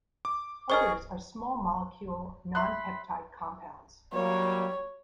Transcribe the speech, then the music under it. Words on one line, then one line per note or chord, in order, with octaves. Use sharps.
Others are small-molecule, non-peptide compounds.
D6
G#4 A#4 C5 D#5 C#6 F6
E5 B5 C6 F#6
F#3 G3 A#3 C#5